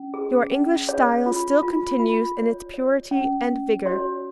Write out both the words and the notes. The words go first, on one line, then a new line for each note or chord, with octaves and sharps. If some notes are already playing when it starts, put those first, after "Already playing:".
Your English style still continues in its purity and vigour.
Already playing: C#4
G#4
C#4
G#4 C#5
F4
F4
F4
C#5
C#5
C#4
C#4
F#4 C#5